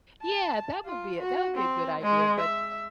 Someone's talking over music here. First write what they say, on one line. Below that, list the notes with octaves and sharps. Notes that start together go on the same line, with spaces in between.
Yeah, that would be that would be a good idea, but
A5
F4
F#4
C4
G#3
E5